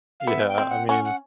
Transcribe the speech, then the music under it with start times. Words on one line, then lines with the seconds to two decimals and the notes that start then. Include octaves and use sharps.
Yeah, I mean,
0.20 F5
0.27 B3 E5
0.48 G5
0.58 C4
0.69 F#5
0.89 C#4 F#5
1.05 F#5